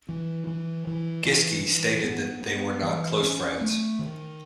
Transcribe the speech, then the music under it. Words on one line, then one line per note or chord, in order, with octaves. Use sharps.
Giske stated that they were not close friends.
E3
E3
E3
E3
E3
B3
B3
E3
C#4
A3
D#3